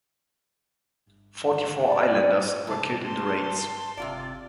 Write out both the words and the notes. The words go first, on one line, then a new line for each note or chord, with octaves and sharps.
Forty-four islanders were killed in the raids.
D5
C3 A5
A5 C6
F#1 C3 F4 D5